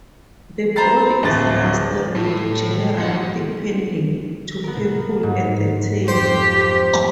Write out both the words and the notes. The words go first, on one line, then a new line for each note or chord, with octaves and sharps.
The body is rust red, generally deepening to purple at the tail.
C5 A#5 B5 A6 C7
D1 D2 A6
A2 E4 F4
G#2 F#5 C6
B3 A#4
G#2
F2 G4 C5